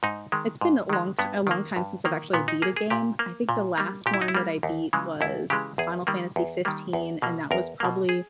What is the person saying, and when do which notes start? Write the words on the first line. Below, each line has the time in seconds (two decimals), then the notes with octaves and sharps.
It's been a long ti a long time since I've actually beat a game, I think the last one that I beat was Final Fantasy XV, and that was probably
0.03 G#2 D#4
0.32 D#3 G#3
0.61 G#2
0.89 D#3 G#3
1.19 G2 B3
1.47 D#3 A#3
1.76 G2
2.05 D#3 A#3
2.33 A#2 B3
2.48 D#4
2.62 A#3 G#4
2.76 G#4
2.90 A#2 G4
3.19 A#3
3.49 A#2
3.78 G3 A#3
4.06 A#2 G4
4.14 E4
4.22 D#4
4.28 E4
4.35 G3 A#3
4.63 D#2
4.93 C#3 E3 G#3
5.21 D#2 E4
5.50 C#3 E3 G#3 G4
5.78 E2 G#4
6.07 D#3 G3 A#3
6.36 E2
6.65 D#3 G3 A#3
6.93 E2
7.22 B2 A#3
7.51 E2 A#4
7.80 B2 A#3
8.09 G#4